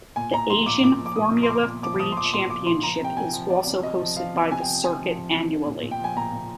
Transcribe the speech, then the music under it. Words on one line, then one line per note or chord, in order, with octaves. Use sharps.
The Asian Formula Three Championship is also hosted by the circuit annually.
A#2 G#5
A#2 A#5
F3 C6
A#2 D6
A#2 D6
F3
D6
A#2 D#6
A#2
C6
A#2 D6
A#2
F3 D6
F3 D#6
C6
F3 D6
A#2 C6
F3 D6
A#2 C6
F3 A#5
C3 G5
C3 G#5
F3
C3 D5
C3
C3 D#5
F3
F3 F5
C3
C3 G#5
C3 G5
C3 G#5
F3
F3
C3
F3
A#2
A#2
G5
F3 G#5
A#2 A#5
A#2